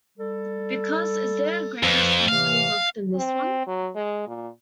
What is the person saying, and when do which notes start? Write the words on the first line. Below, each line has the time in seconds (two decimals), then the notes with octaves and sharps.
Because, is there a greater stumbling-block than this one?
0.18 G3 A4
1.83 F2 B4
2.29 A2 C3 E3 F5
3.16 C4
3.67 F#3
3.95 G#3
4.28 A#2